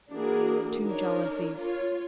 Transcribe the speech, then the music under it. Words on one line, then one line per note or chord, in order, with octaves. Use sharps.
Two Jealousies.
E3 A#3 D4 F#4 G#4 A#4
D4 D#4 A#4 C#5
F4 C#5